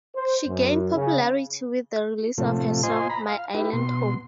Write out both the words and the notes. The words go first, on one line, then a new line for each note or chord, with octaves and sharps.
She gained popularity with the release of her song "My Island Home".
C5
F#2
C#3
A2 C3 F3 A3
F4 C5 D#5 G#5 C6
A#5 B5
F5
D#4 E4 G4 B4
B2 C6